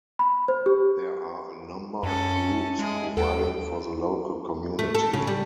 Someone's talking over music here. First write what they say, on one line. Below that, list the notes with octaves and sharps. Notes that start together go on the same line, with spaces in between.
There are a number of groups providing for the local community.
B5
C5
G4
F#2 C#4 A4
G#3 E4 G#4
D#2 A4 F#5 G5
A3
A4
C#3
G3